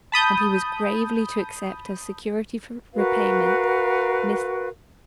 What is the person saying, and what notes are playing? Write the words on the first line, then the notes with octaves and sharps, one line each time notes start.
And he was gravely to accept as security for repayment--Mr.
A5 B5 D#6 G6
F#4 A#4 B4 F5